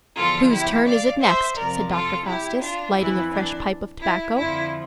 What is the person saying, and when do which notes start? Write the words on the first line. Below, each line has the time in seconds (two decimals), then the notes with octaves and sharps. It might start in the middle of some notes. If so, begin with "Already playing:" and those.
"Whose turn is it next?" said Doctor Faustus, lighting a fresh pipe of tobacco.
0.15 E2 D3 F3 F4 A4
0.51 E4 G4
0.86 D5 F5
1.21 C5 E5
1.56 F2 C3 F3 A#4 D5
1.91 F4 A4
2.26 E4 G4
2.60 D4 F4
2.95 F2 E3 E4
3.31 D4
4.01 E4
4.36 F2 D3 F3 E4